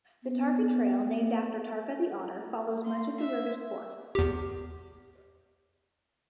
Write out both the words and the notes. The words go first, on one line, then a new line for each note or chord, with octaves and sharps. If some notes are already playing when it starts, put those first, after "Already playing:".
The Tarka trail named after Tarka the Otter follows much of the river's course.
B3
C6
E5
E2 G4